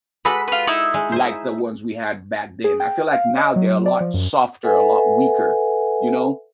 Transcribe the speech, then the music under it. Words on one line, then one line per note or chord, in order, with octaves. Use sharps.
like the ones we had back then, I feel like now they're a lot softer, a lot weaker, you know?
G#3 F#4 A4 B4 B5
F4 B4
D#4 E4 E6
G#3
C5 G#5
G#4
G5
F5
D#5
F#3
D5
F3
F#2
A4 B4 E5 F#5 G#5